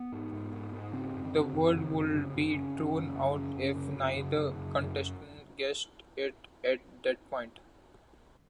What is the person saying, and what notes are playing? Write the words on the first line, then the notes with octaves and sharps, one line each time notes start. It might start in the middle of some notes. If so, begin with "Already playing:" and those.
The word would be thrown out if neither contestant guessed it at that point.
Already playing: B3
G#2
G#2
G#2
G#2
C#3 C4
F#2
C#3
F#2
C#3
F#2
C#3
F#2
C#3 C#4
F#2
C#3
F#2
C#3 C#4
F#2
C#3
F#2
C#3
F#2
C#3
F#2